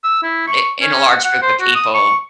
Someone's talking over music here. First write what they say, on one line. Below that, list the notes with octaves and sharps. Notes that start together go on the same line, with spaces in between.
in in a large group of people
E6
E4
C#6
C#4
F#5
F#5
C5
F#4
D#6
C#6